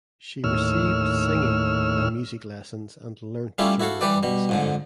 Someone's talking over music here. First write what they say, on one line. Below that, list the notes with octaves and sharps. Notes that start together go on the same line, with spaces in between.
She received singing and music lessons and learnt German on the side.
D#2 A2 C#5 E6 F6
G3 A3 C#4 E4 F4 G4
E4 F#4 A4 F5
E3 G3 G4 B4 D5
B2 G3
F2 G#2 D3